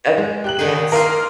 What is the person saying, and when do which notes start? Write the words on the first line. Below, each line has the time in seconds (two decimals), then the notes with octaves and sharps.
Uh Yes.
0.18 G#3
0.44 G4 F#6 F#7
0.59 D#3 D#4 G#4
0.92 A#3 F4 A#4 F5 F6